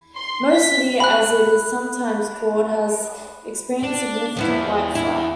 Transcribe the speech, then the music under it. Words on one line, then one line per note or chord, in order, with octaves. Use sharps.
"Mo City", as it is sometimes called, has experienced significant "white flight".
C6
B6
B5 F#6
D4
E2 F3 B3 E4
E4